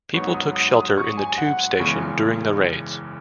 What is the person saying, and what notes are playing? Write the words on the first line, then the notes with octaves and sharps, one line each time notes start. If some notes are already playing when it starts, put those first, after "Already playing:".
People took shelter in the tube station during the raids.
G#2 F#3 B3 D#4 C#6
D#6
D#6
D#6
C#6
G#5
F#5
F#1 E2 C#3 G#3 C#6